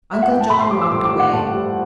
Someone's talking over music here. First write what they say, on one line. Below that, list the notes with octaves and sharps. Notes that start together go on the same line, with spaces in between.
Uncle John walked away.
E5
F#5
G5
A5
A2 B5
C6
G3 D6
E6
A2 D6
D6
G3
F#5
A2 A5
G3